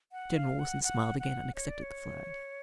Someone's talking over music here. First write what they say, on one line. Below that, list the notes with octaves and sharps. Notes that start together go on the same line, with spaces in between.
General Wilson smiled again and accepted the flag.
F#5
F5
F#5
F#5
F#5
C#5
D5
C#5